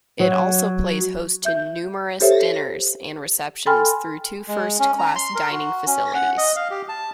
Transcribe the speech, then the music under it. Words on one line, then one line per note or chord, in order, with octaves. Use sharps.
It also plays host to numerous dinners and receptions through two first-class dining facilities.
F#3
E5 G6
G4 A4 C5 C#5 E5
A4 G5 G#5 B5 C6 F6
G#3
C#4
A#5
C6
A#4
F#4
C#4
F#5
D#5
F5
G4
A5